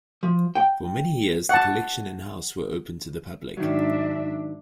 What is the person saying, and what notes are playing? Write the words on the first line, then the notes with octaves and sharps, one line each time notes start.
For many years the collection and house were open to the public.
F3
G5
F#5 A5
G#2 D#3 F#3 D4 E5